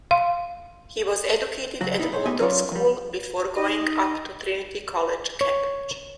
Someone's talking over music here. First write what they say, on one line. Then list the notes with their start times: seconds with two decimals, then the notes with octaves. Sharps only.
He was educated at Oundle School before going up to Trinity College, Cambridge.
0.11 F5 C6
1.81 C#3 F#3 F#4
1.98 A#2 D#4 E4
2.12 B1 G#2 C5 C#5
2.26 B3 D#4 G4 D#5 E5 G#5
2.40 F#3 C#4 F4 C#5 D5
2.72 F3 G3
3.56 D#4 D#5
5.41 C#5